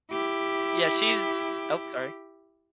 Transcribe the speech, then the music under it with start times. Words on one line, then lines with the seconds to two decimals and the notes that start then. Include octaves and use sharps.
Yeah, she's ope, sorry.
0.11 E4 G4